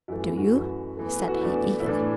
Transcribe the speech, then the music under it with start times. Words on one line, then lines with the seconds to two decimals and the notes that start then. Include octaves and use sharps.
"Do you?" said he eagerly.
0.08 F#2 E3 A3 E4
0.23 E4
0.37 F#4
0.52 F#2 E3 A3
0.97 E2 E3 A3
1.13 B4
1.20 A4
1.28 F#4
1.35 E4
1.41 E2 E3 A3 D4
1.80 E4
1.86 A2 E3 A3 D4